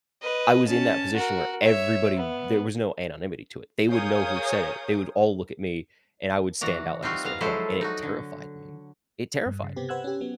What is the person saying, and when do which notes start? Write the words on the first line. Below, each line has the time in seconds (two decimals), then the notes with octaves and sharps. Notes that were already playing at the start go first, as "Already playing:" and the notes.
I was in that position where everybody there was no anonymity to it, they would know who said it, they would all look at me, and I would stand out like a sore thumb, and it terrified me. It terrified me.
0.22 B4 D#5
0.67 C#4 A5
1.15 F#4 A#4
1.63 C#5 E5
2.17 B3
3.89 G#4 A#4 C#5 F5 D#6 G6
6.61 E3 F#4 D5 A#5
7.02 G3 C4 D#4 F4 F#4
7.24 B3 F5 A#5
7.41 F3 F#3 G#3 E4 A4 C5
7.81 D#4 F#4
8.02 D3
9.46 G2
9.63 C#3
9.76 C3 B3 C4 G4
9.89 B4 C5 F#5 E6 F#6 G#6
10.04 C#4 G4
10.21 F#3 B3